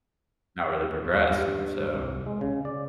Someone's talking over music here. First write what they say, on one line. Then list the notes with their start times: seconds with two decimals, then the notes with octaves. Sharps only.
not really progress, and so,
1.05 E2
1.30 G2
1.93 C2
2.26 G#3
2.41 C#3
2.65 D5